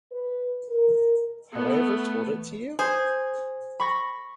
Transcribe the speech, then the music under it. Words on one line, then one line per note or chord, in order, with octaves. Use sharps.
Have I ever told it you?
B4
A#4
A3 B3
G#4 C5
B5 C#6 A#6